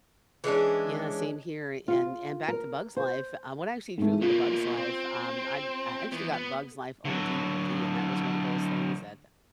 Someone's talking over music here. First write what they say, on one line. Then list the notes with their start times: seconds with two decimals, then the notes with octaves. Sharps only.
Yeah, same here, and and back to Bug's Life, uh, what actually drew me to Bug's Life, um, I I actually got Bug's Life on DVD and that was one of those things that
0.44 E3 G#3 C#4 D4
1.88 F4
2.48 A#4
2.97 C5
3.98 G#2 A3
4.22 B2 A#3 F4
4.77 C4
6.12 E3 B3
6.32 B3
7.05 D3 F#3